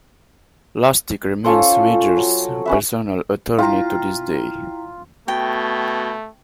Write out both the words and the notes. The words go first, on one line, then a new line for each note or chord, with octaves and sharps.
Lustick remains Wegers's personal attorney to this day.
C#4 F4 A4 C5
F#3
C#4 B4 E5
E4 F4 G5 A#5
B2 A3 G5